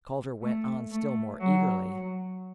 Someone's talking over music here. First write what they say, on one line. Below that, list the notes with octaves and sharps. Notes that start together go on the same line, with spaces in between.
Calder went on still more eagerly.
A3
A3
F#3
F#3